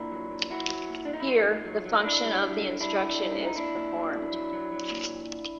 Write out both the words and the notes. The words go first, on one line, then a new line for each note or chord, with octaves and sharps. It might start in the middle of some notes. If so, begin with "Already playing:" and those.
Here, the function of the instruction is performed.
Already playing: A#2 D4 E4
F#3
A#2
F#3 E4 F#4
F#3
A#2
D4
A#2
D#4
E4
F#3 D#4 F4
A#2
F#3
F#3
D#4
D3 D4 E4
G3
G3
D3
G3 D4 E4
D3
G3
D3
D#4
A#2 D4 E4
A#2
F#3
F#3
F#3
F#3
F#3
A#2